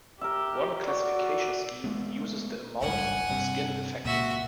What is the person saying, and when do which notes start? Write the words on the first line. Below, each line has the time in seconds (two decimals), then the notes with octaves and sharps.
One classification scheme uses the amount of skin affected.
0.21 G4 A#4 E5
0.87 F#4 D5
1.84 G#3 A3 B3
2.81 G#1 C#2 G2 F#5 G#5
3.30 G2 C3
4.05 C#2 A#2 A#3 F#4 E5